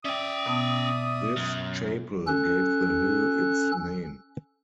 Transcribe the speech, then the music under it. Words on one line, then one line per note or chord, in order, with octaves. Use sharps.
This chapel gave the hill its name.
C#4 D5 E5 G5 D#6
B2 B3 A5
F#2
C#4 A4 F#6